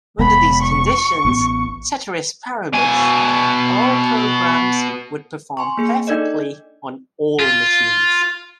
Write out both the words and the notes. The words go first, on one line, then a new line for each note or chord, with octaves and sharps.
Under these conditions, ceteris paribus, all programs would perform perfectly on all machines.
F1 G#3 B3 B5
C#6
A1 B3
B2 G#5
G#5 C6 C#6
A#3 G#4 C#7
D4 D#4 A4 D5 D#5
F4